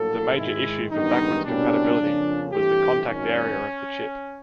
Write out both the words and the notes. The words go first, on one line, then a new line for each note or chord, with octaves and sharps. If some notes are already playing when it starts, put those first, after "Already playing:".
The major issue for backward compatibility was the contact area of the chip.
Already playing: A#1 A2 F#3 A#3 A4
G#2 D#3 G#3 E4
A1 G2 D#3 G#3 B3 D#4
C2 B2 G3 A#3 C#4 D4
F2 C#3 F3 A#3 C#4
G2 E3 A3 C4 G4
G#1 F#2 D#3 C#4